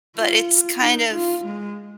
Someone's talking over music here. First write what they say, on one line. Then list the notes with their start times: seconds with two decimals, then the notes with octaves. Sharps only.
but it's kind of
0.17 F4
0.81 D#4
1.13 F4
1.45 G#3